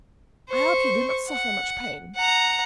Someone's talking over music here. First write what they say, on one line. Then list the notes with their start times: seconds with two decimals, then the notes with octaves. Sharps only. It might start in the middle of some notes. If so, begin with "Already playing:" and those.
"I hope you do not suffer much pain!"
0.49 C5 C#6
1.29 F#5
2.16 F#5 A#5